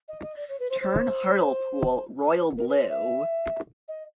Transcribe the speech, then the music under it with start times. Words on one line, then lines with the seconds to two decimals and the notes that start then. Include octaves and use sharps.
Turn Hartlepool Royal Blue.
0.08 D#5
0.22 D#5
0.37 D5
0.49 C#5
0.60 B4
0.70 C5
0.81 C5
2.57 A#4
2.68 B4
2.79 C5
2.89 E5
3.88 D#5